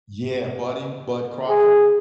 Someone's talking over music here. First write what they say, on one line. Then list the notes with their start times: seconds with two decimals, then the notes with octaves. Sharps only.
Yeah, Buddy Bud Crawford.
1.49 G#4